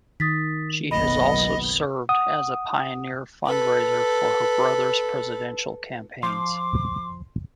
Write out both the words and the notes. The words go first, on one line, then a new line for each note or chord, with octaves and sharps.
She has also served as a pioneer fundraiser for her brother's presidential campaigns.
D#3 D#6 A6 B6
F#1 B1 B3 D#5 B5
F#5 D#6
A4 B4
F3 C6 D6